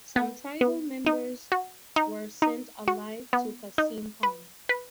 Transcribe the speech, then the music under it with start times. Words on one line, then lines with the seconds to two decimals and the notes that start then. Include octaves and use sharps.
Some tribal members were sent alive to Qasim Khan.
0.16 B3
0.61 B3
1.06 D#4
1.52 F#4
1.96 D#4
2.42 D#4
2.88 F#4
3.33 B3
3.78 D#4
4.23 B4
4.69 B4